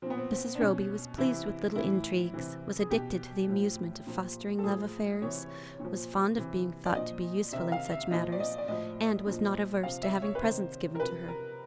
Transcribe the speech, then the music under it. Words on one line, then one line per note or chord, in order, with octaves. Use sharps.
Mrs. Roby was pleased with little intrigues, was addicted to the amusement of fostering love affairs, was fond of being thought to be useful in such matters, and was not averse to having presents given to her.
A#2 F3 B3 C4
C4
C4
D4
B2 C#4
C3 E3 E4
A2 E3 E4
C3 E3
G#4
B2 G4
A2 F3
A#2 F3
A4
A2 F3 G#4
C3 E3 C#5
A#2
F3
C3 E3
D5
A#2 F3 D#5
C3 D#3 E5
F5
E5
A#2 F3 D#5
D5
D#5
D5
A2 F3 D#5
A#2 F3
C3 F3 F5
E5
C#5
B4
C3 D#3 C5
A#4
C3 F3 B4
A#4